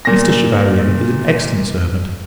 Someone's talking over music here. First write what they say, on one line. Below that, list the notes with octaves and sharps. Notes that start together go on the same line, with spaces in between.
Mr. Chevalier is an excellent servant.
A#2 A#6